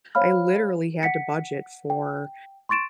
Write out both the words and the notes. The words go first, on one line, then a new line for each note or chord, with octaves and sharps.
I literally had to budget for,
C5 C#5 F5 B5 F6
F#5 B6 C#7
G5
C6 C#6 A6 D7 E7